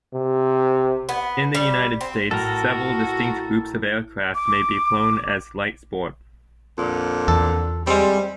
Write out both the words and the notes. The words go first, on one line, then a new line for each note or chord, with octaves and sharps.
In the United States, several distinct groups of aircraft may be flown as light-sport.
C3
B3
G3
C4
A2 F#4 A4 A#4
D6
F2 A#2 D3
E2 A4
G3 G#3 C4